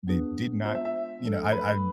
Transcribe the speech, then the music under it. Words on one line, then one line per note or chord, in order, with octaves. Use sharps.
that did not you know, I I
B3 D4 G#4 B4
G#3 B3 F4 C5
E5
E5
F3 A3 D4 A4
B4